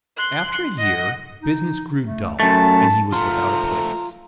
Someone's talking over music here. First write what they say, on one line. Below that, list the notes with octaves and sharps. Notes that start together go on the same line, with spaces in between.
After a year, business grew dull, and he was without a place.
C6 F#6
D#5 F#5
D#4
A3
F#2 A3 A5
F3 A3 F4 A#5 C6